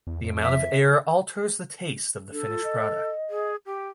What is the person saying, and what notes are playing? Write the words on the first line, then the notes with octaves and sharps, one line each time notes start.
The amount of air alters the taste of the finished product.
E2
F2
E5
D4 A4
F4
D#5
G#4
G4